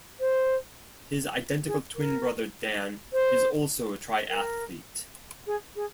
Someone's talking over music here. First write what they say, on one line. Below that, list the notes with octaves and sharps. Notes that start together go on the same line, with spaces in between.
His identical twin brother Dan is also a triathlete.
C5
G#4
A#4
C5
A#4
G#4
G#4